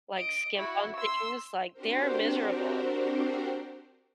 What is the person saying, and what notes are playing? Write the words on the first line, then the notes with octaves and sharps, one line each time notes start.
like, skimp on things, like, they're miserable
D#5 D7
E4 F#4
C6 E6
C4 D4 F#4 G4 A#4 C5